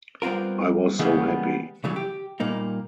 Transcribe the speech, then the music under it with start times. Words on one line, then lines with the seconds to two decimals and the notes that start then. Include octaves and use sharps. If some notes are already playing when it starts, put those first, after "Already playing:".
I was so happy.
0.22 G3 B3 C4 F4 A#4
0.99 C#3 E3 G3 G#3 A#3 B3
1.84 C#3 E3 F#3 G3
1.96 G4
2.40 A#2 G3 A#3 D#4